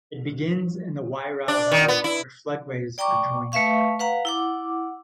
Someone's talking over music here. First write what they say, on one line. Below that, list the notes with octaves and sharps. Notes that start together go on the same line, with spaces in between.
It begins in the Wairau valley where floodways are joined.
D4
D#3
B3
E4
D5 G5 A#5 C#6 D6
A3 B4 E5 F5 C#6
B4 F5 F#5 A#5
E4 F#5 D6